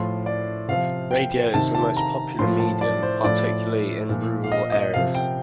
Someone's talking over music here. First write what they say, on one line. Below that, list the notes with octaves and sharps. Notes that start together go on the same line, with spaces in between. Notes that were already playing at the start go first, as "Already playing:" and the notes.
Radio is the most popular medium, particularly in rural areas.
Already playing: A2 F3 C6
D5
C3 F3 F5
G5
C3 D#3 A5
A5
A#5
A2 F3 C6
A5
D5
C5
A2 F3 D5
A#2 F3
F5
D#5
D#5
C3 F3 F5
G5